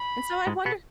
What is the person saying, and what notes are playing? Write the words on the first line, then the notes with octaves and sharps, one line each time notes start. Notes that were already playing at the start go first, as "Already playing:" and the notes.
and so I wonder
Already playing: B5
G#2 G#3
B2 B3